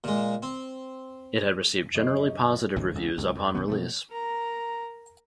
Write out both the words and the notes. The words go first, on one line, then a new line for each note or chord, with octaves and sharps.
It had received generally positive reviews upon release.
A#2 G#3
C4
F#2 D3 F#3 D#5 D6 C7
C#4
A1 D2 G#2 B2
C#2
C#2 G2
F2
B1 D#3 B3
B2 F3 A3
A#4 A#5